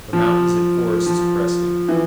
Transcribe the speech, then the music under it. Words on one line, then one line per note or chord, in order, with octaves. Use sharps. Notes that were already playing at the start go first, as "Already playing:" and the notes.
The mountains and forests oppressed him.
F3
F3
E3